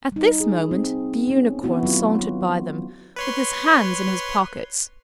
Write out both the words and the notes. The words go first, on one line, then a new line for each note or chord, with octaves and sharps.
At this moment the Unicorn sauntered by them, with his hands in his pockets.
G3 D#4
G#4
C4
B3 C#4
D#3 B3 E4 F#4
F#3 C4 F4
B4 C#5 C6